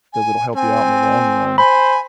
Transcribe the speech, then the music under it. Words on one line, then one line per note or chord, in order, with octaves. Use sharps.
'cause it'll help you out in the long run.
G#5
C4 G#5
C5 G#5 B5